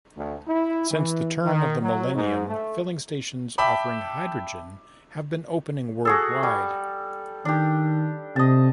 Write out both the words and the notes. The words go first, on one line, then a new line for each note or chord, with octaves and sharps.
Since the turn of the millennium, filling stations offering hydrogen have been opening worldwide.
D2
E4
E3
D#3
F#3
G#2
A3
E5 G5 A5 B5 D6
F#4 G#4 A4
G3
D#3 D4 G4
C3 D#5 A5